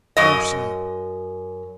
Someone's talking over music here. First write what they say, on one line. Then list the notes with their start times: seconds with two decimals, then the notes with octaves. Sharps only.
"No sir."
0.17 F#2 D#5